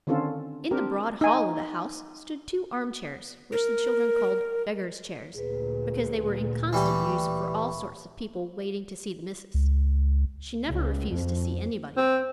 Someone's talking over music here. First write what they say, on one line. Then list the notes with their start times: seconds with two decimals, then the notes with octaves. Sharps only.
In the broad hall of the house stood two armchairs, which the children called "beggars' chairs," because they were in constant use for all sorts of people, "waiting to see the missus." She never refused to see anybody.
0.07 D3 D#3 C4 C#4 F4 A4
0.71 C4 D4 G4 A#4
1.21 D#4 G#5
3.52 A#4
5.34 D2 A#2 G#4 B4
6.73 E3 G3 E5 B5 C#6
9.54 C#2
10.66 C#2
11.09 F2
11.97 C4